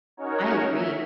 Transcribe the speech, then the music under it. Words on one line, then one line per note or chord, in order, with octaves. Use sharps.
I agree.
C#4 D#4 F#4 A#4 C#5
E5